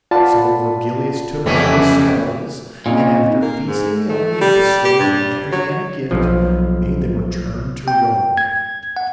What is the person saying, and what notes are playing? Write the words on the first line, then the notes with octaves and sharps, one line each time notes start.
So Virgilius took off his spells, and, after feasting the army and bestowing on every man a gift, bade them return to Rome.
F4 B4 D5 F#5 A5 B5
F2 C#3 E3 G3 A3 B3 C#4
A#2 C#3 C4 D#4 D#5
A#3
G#2
A3
G3
G4
G2
F#3
B1 F3
G5
G#6
F#5